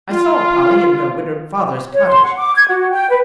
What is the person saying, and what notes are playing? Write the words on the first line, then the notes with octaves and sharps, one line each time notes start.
I saw Polly in her widowed father's cottage.
F4
C#5
C6
F#5
D6
G#6
F#4
G5
B4